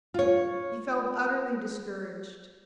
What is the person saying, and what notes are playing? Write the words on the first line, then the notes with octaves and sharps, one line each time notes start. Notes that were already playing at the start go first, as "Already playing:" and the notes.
He felt utterly discouraged.
F4 C#5